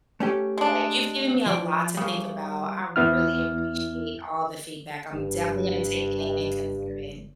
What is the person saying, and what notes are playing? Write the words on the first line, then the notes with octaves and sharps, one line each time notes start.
yeah, you've given me a lot to think about, I really appreciate all the feedback, I'm definitely gonna take it in and consider it.
A3 C#4 G4
G#3 D4
F3 D5
C#3 G3 A#3
E2 B3 E4 F6
F#1 G2